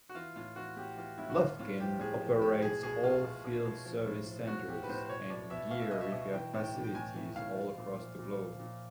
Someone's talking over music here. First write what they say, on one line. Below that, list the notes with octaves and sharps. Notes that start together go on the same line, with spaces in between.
Lufkin operates oilfield service centers and gear repair facilities all across the globe.
F#4
E3 F4
A2 F4
E3 F#4
A2 G4
E3 F4
A2 E4
F#4
F3 F4
A2 F4
F3 G4
A2 G#4
F3
A2 G4
B2 G#4
B2 G#4
B2 F4
B2
B2
B2
F3
A2
F3
A2 F#4
F3 G4
B4
A2 C5
C5
B2 C#5
B2 D5
B2 E5
B2 F5
E5
B2 D#5
E5
B2
E3 G5
A2
G5
E3
G5
A2 G#5
E3
A2 F5
F3
A#2
F3
A#2
F3
A#2